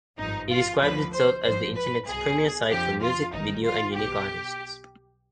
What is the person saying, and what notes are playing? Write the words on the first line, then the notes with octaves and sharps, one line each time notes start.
It describes itself as "the Internet's premier site for music, video and unique artists".
G#1 G2 F3 D#4
F4
D2 D3 F3 B4
C5
G#1 G2 F3 C5
B4
C2 B2 G#4
F2 D3 F3 G4
F4
G1 G2 D#3 D#4
F4
B1 B2 G4